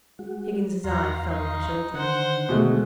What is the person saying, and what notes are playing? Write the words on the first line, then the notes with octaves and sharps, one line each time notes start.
Higgins's eye fell on the children.
G#3 F#4
E2 F#4 F5 A#5 C6
D#4
D3 D#3 C5 F#5
B2 G#3 A3